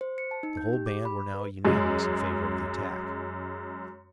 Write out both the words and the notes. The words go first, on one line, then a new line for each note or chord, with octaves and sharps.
The whole band were now unanimous in favor of the attack.
C5
C#7
A5
D#4
G6
G4
D6
B5
B4
F#2 G#3